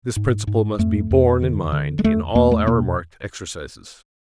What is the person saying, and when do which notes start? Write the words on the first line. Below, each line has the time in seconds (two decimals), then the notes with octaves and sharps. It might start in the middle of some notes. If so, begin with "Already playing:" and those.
This principle must be borne in mind in all our marked exercises.
0.16 G#2
0.47 G#2
0.79 F2 A3
1.11 F2
1.42 D3
1.72 D3
1.99 G#3
2.04 E2 A3
2.35 E2 A#3
2.51 A3
2.67 B2 A#3